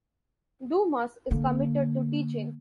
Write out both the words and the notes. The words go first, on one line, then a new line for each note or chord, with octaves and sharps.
Dumas is committed to teaching.
D3 A#3